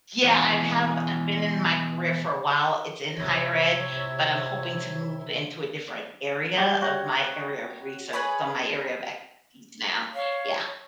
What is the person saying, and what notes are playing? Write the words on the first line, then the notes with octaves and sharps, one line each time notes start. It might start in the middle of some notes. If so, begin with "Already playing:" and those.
yeah, I've have I've been in my career for a while, it's in higher ed, but I'm hoping to move into a different area of my area of research, so my area of expertise now. Yeah.
B2 E3 G#3 C#4
C3 E4 C#5
D5
G3 G5 D6
F#4 C#5
G#4 B4 C#5 B5
C#5 F5